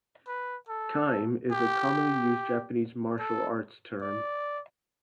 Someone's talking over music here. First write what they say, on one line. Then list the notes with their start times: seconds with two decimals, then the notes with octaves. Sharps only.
"Kime" is a commonly used Japanese martial arts term.
0.28 B4
0.69 A4
1.52 G4
3.19 A4
4.02 D5